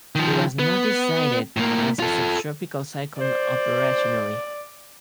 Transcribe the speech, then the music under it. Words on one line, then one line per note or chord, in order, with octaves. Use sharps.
It was not designated as a subtropical cyclone operationally.
D#3 F3
B3
A2 A#3
F4 A4
C5 D5